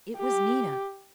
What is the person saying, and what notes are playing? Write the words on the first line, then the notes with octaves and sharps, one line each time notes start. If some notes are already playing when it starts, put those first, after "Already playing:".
It was Nina.
G4